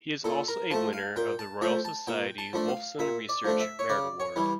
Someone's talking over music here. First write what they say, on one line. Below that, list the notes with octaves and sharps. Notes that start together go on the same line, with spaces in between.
He is also a winner of the Royal Society Wolfson Research Merit Award.
A#2 A4
A#4
F3 A3 A5
F5
A#2 G5
A5
F3 A3 G5
A5
A#2 G5
A5
F3 A3 D4
F5
A#2 E5
D5
F3 A3 D4
E5
C#5
C#3 D5
C#5
E3 G3